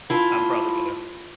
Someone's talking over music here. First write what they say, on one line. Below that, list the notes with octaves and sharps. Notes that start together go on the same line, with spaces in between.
I'm probably gonna.
E4 F4 A5